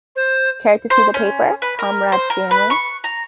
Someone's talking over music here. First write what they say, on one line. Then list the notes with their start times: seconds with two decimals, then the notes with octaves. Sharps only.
Care to see the paper, Comrade Stanley?
0.16 C5
0.90 C5
1.14 C#4
1.62 B4
1.79 A#4
2.12 C5
2.30 A#4
2.51 B4
2.70 C#6
3.04 A#5